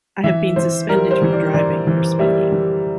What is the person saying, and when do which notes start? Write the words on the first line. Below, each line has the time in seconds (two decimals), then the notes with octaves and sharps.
I have been suspended from driving for speeding.
0.24 E3 E5
0.56 E3 C5
0.89 G3 A#4
1.11 C5
1.22 E3
1.33 D5
1.53 E3 D5
1.87 E3
2.19 G3 E5
2.52 E3